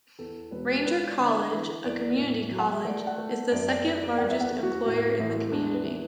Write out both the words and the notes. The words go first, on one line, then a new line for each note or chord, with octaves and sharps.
Ranger College, a community college, is the second largest employer in the community.
E2 A4
E1 B4
E2 B4
D5
D3
E5
E3 E5
E2 D5
A2
F#3
F#5
E5
A3 D5
F#5
A3
F#2 D5
D5
B3 D5
D5
E2 F#5
E5
F#5
E2
F#4
A2 F#4
A1 E4
E2 D4
B3
E3